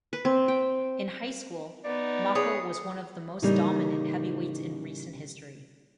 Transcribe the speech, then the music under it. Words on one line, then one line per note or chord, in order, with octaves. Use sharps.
In high school, Mocco was one of the most dominant heavyweights in recent history.
B4
C4
G5
B3 D#4 D5
G#4 B4 C#5 D#6
A2 C#3 E3 G3 A#3 D#4